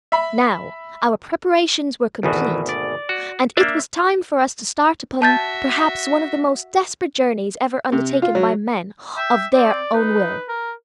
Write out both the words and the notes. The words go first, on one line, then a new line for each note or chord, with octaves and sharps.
Now our preparations were complete, and it was time for us to start upon perhaps one of the most desperate journeys ever undertaken by men of their own will.
E5 B5
G#1 D2 B2 D#3 E3 F#4
D5
F#4
A#3 D4 E5
F#4 E5 A5 G6 A6
C3
F4
F#3
E5 G5
C4 D5
D#4 B4
A#4